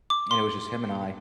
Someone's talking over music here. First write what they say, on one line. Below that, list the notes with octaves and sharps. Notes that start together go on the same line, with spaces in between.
and it was just him and I,
D6
C6